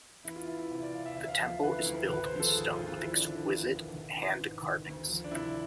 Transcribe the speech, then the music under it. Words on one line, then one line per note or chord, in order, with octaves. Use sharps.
The temple is built in stone with exquisite hand carvings.
E2 E4
F4
E3 E4
E4
C3
D5
E2 F5
E5
D2 E5
F5
F3 E5
D3 B4
E4
D2
G#1 B4
C5
F3
A4
G#2 G#4
F4
G#1
F4
F3 E4
D4
D3 E4
D4
E2
E1
G#1
E3
G#2
G#1
D2
F3
D4
C3 E4